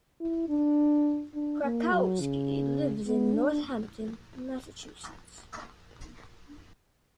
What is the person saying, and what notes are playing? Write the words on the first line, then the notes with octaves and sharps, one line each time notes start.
Krakowski lives in Northampton, Massachusetts.
E4
D4
D4
A#3
F#3
C#3
B3
D4